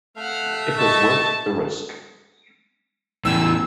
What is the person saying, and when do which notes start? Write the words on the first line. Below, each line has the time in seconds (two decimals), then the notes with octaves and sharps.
It was worth the risk.
0.17 A3 F5 F#5
0.77 D#5 A5 C#6
3.25 E2 A2 E6